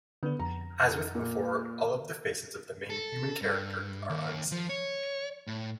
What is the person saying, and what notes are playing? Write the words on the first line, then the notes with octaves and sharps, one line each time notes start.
As with before, all of the faces of the main human characters are unseen.
D3 B3 D4
F2 A#5
A#2
A4
G2
D#2
F3
C#5
A2